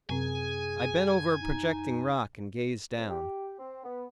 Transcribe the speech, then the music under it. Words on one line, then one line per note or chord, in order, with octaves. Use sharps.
I bent over a projecting rock and gazed down.
F#2 C3 C4 G#4 G#5
D#4
F2
G4
C4
B3